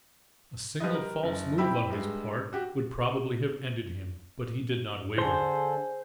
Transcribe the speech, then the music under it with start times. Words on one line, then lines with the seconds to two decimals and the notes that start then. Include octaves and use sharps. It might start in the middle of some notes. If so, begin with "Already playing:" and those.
A single false move on his part would probably have ended him, but he did not waver.
0.80 F3 G3 B4 D#5
0.93 G3 A#4
1.23 F#1
1.58 G3 C4 E4 G4 B5 E6
1.90 G2 G3 G#3
2.53 F#4 G4
5.18 D3 G#4 A4 C5 G#5 C6